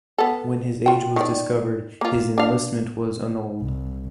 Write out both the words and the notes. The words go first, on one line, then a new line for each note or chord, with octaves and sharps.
When his age was discovered his enlistment was annulled.
B3 A4
F4 G5
D#3 D5
A#3 F4
D4 F5
C2